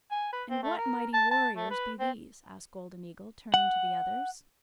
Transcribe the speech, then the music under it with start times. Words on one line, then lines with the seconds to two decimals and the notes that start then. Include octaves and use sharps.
'And what mighty warriors be these?' asked Golden Eagle, turning to the others.
0.11 G#5
0.32 B4
0.50 C4
0.63 A3
0.78 A#4
1.13 A5
1.31 A5
1.56 A3
1.70 B4
2.00 C4
3.54 F#5